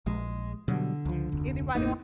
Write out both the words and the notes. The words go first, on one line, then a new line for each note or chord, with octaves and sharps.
Anybody want?"
A#1 G#3
B2 D3 F#3 G3
C#2 F3
F1 D2
A1 E2 A#3 D#4